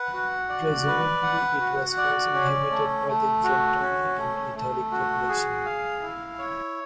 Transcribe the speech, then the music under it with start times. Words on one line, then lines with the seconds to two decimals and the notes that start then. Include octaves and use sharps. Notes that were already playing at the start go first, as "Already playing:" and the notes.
Presumably, it was first inhabited by the Frentani, an Italic population.
Already playing: B4 F#5
0.13 F#4
0.49 D5
0.87 B4
1.23 F#5
1.60 F#4
1.97 D5
2.34 C#4
2.71 A3
3.08 A3
3.44 F#4
3.80 C#4
4.18 A3
4.55 A3
4.92 F#4
5.28 G#4
5.66 F5
6.02 E4
6.39 C#5